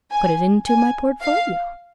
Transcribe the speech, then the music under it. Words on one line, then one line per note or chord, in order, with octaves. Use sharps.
"Put it into my portfolio."
G#5
G#5
F5